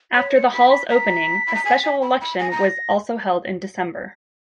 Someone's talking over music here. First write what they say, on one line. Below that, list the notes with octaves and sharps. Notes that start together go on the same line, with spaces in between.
After the Hall's opening, a special election was also held in December.
C#5 B6
C#7
B5 B6
B6
A#5 B6
B5
A#5
G#5
G#5
B5
B5
G#5 A#6
A#5